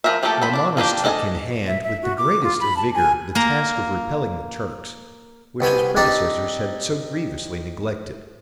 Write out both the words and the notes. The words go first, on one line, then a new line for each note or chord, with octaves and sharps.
Romanus took in hand with the greatest vigour the task of repelling the Turks, which his predecessor had so grievously neglected.
F3 C#4 A#4 C5 E5
F3 A3 A#3 G4 A4
F3 C5 B5
D4 D5
F3 A#3 D4 G4
D4 A4 D#5 F5 G#5
E5
E5
F#4
D6
F4
B5
A5
G#5
A#3 A#5
C2 B3 G5 G#5
C4 D4 D#4 G4 D5